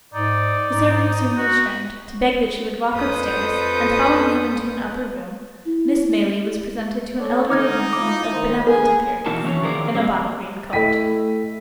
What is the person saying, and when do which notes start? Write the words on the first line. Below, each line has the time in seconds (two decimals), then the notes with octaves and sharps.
The servant soon returned, to beg that she would walk upstairs; and following him into an upper room, Miss Maylie was presented to an elderly gentleman of benevolent appearance, in a bottle-green coat.
0.14 G#2 D#4 D5
0.69 G#2
1.38 F#4
2.93 F2 A4 B4 C5 D#6 G6
5.66 E4
7.19 A4 C#5 D5
7.50 D3 D#4 D6 F6 G#6
7.93 F3 E4 D6
8.32 D#3 C5
8.67 D3 G#4 A#4 B4
9.26 B2 E3 A#3 D#4 F#4 A5
9.44 E2 E3 F#3 C#4 C#5
9.62 D#3 F3 G#4 A#4 C5 D5
9.95 A#2 G3 G#3 A#3 C4
10.72 A3 E4 D#5 G5 B6 D#7